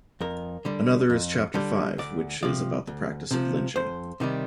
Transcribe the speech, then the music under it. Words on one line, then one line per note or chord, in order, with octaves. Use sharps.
Another is chapter five, which is about the practice of lynching.
F2 A#4
D3 G3
F2
D3 G3
D2 D5
C3 F3 D5
D2
C3 F3
F2 C5
C3 D#3 G3